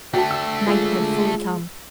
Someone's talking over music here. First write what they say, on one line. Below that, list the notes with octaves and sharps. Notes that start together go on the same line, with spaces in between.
Night had fully come.
A3 D4 F#4 G5 A5
E6
G#3 F4 G#4